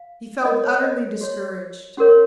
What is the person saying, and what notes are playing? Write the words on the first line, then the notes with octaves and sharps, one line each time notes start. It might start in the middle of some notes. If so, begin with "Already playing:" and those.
He felt utterly discouraged.
Already playing: F5
F4 A#4 C#5 D#5
C#5
D#5
F#4 C#5
C#4 F#4 A#4 C#5